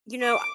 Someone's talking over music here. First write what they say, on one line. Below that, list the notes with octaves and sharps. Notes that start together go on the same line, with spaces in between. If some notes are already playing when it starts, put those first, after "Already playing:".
you know, I
D6